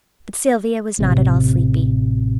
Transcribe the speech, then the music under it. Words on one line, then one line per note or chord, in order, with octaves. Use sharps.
But Sylvia was not at all sleepy.
A1 C3